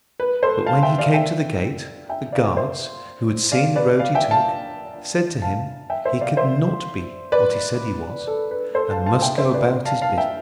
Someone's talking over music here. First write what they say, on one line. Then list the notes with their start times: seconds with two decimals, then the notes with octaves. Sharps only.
But when he came to the gate, the guards, who had seen the road he took, said to him, he could not be what he said he was, and must go about his business.
0.20 B4
0.42 A4 C5
0.66 F5 A5
0.83 E5 G5
0.98 D5 F5
1.14 E5 G5
2.09 E5 G5
2.32 D5 F5
2.57 C5 E5
3.52 D5 F5
3.76 B4 D5
3.99 D5 F5
4.15 E5 G5
4.31 F5 A5
5.42 F5 A5
5.90 E5 G5
6.05 C5 E5
6.21 D5 F5
6.37 C5 E5
7.32 B4 D5
8.27 A4
8.51 B4
8.75 A4 C5
8.91 F5 A5
9.06 F5 A5
9.22 E5 G5
9.38 C5 E5
9.54 B4 D5
9.85 F5 A5
10.02 F5 A5
10.18 E5 G5